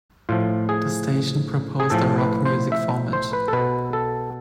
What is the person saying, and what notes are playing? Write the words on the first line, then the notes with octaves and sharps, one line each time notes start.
The station proposed a rock music format.
A2 F3 F4
G#4
G#4
A2 F3 A4
B4
C5
E5
C5
B4
A4
B2 B4
A4